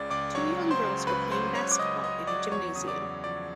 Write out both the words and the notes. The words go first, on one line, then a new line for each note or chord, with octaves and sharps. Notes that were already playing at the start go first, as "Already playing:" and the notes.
Two young girls are playing basketball in a gymnasium.
Already playing: C#2 C#3 D5 D6
C#2 D5 D6
F#3 C#5 C#6
C#2
C5 C6
C#3
C#2 B4 B5
F#3 C5 C6
C#2 C#5 C#6
D6
C#3 D#5 D#6
C#2 D#5 D#6
F#3 D5 D6
E2 C#5 C#6
C#3 D#6
D5 D6
E2
F3 D5 D6